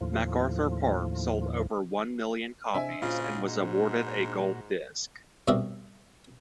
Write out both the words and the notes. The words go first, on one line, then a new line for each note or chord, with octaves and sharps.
"MacArthur Park" sold over one million copies, and was awarded a gold disc.
D#2 A2 F3
C3 D4 C5 D#5 E5 G#5
A#2 C#3 F4 F#4
G#2
G2 B2 C4 A#4 D5 E5